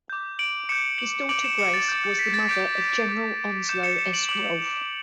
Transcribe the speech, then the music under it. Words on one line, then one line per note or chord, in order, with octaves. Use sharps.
His daughter Grace was the mother of General Onslow S. Rolfe.
D6 G6
D7 F#7
D6 G6 C#7 E7
D7 F#7
D6 G6 D7 F#7
C#7 E7
C#7 E7
A6
G6
D6
G6
B6
A6 C#7
D6 G6 B6 D7
D6 G6
D6 G6 C#7 E7
C#7 E7
C#7 E7
D7 F#7
D6 G6 D7 F#7